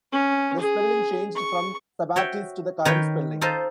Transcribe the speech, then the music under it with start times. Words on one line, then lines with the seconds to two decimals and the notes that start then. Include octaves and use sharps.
The spelling changed from Sabattis to the current spelling.
0.12 C#4
0.60 G#4
1.36 C#6
2.16 F#4 C#5 E5 G5
2.85 D#3 B4 C#5 G5
3.41 D#4 F4 A4 C5 D#5